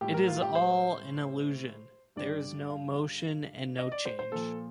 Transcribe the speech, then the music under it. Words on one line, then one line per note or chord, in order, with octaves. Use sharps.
It is all an illusion: there is no motion and no change.
A2 G3 G4
A#4
F4
G4
C5
G2 D3 G3 D5
F5
D#5
D5
C5
C5
A#2 F3 A4